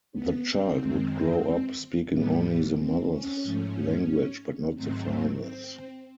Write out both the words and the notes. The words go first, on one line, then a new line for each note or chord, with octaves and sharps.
The child would grow up speaking only the mother's language, but not the father's.
B3
C4
F#2 D#3 G#3
A2 E3 G3 B3
C4
C#4
G#2 F3 A3
G#2 D#3 F#3 A3 C4
C4